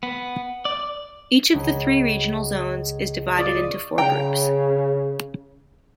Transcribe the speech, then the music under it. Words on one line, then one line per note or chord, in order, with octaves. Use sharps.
Each of the three regional zones is divided into four groups.
B3
D5
C#2
F4 D5 C#6 D#6
C#3 G5 A#5